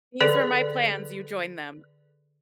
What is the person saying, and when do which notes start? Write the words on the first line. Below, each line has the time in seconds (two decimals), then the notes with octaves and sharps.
these are my plans, you join them.
0.21 D3 G#4 A4 B4 D5